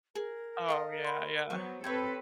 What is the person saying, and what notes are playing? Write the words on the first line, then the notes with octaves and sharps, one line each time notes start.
Oh, yeah yeah.
G#4 A#4
A4 D#5 F5 D#6
B5 C6
F#3 B3 C5 C#6
C4 G4 A4 B4 C#5 G6 G#6